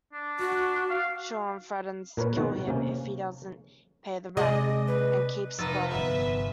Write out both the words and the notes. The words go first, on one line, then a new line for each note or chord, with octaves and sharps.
Sean threatens to kill him if he doesn't pay the rent, and keeps Wellard.
D4
F#4
F5
A#2 A#4 B4 C#5
B2 D#3 F#4 F#5
C3 A#3 C#4
C3 G#3 D5 D#5
B4
F1 D#4 B4 E6 A6
G1 B3 B4 E5